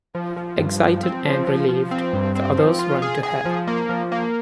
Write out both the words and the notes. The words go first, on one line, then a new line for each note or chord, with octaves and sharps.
Excited and relieved, the others run to her.
F3
F3
G2
F3
C4
F3
F3
F3
C4
G2
C4
F3
F4
G#4
G#4
F3
A#3
F3
A#3